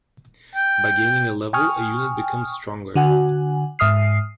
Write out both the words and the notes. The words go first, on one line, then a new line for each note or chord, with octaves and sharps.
By gaining a level a unit becomes stronger.
G5
G5 G#5 C#6 D#6 F6
D3 F#4 F#5 G#5
G#2 E5 D#6 F6 C7